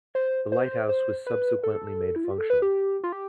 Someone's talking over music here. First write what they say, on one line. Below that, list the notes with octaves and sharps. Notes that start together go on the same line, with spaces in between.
The lighthouse was subsequently made functional.
C5
C5
C5
B4
A4
E4
F4
G4
A4
B4
G4
F4
G4